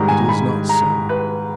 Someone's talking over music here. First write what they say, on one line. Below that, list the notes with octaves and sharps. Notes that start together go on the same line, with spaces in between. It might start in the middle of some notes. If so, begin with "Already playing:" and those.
It is not so.
Already playing: G#2 D#3 G3 A#5
G#5
A#5
B5
A#5
B4